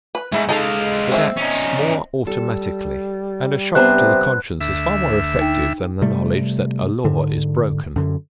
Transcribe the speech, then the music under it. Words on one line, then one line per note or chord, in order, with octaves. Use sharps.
It acts more automatically, and a shock to the conscience is far more effective than the knowledge that a law is broken.
B4
G#2 A3 E4
G#3 D#4 A4 F5
C4 E5
C#4 D#4
G3 A4
C3 B3 D4 C5 F#6
D2 E5
D#4 G5
C3 G3 A3
G#2 D3
F#2 D3